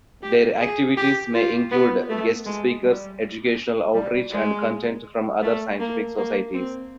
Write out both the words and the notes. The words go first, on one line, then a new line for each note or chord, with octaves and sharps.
Their activities may include guest speakers, educational outreach, and content from other scientific societies.
G4
G#4
G4
F4
B3
A3
G#3
G3
G3
G#3
A3
A#3
A#3
C4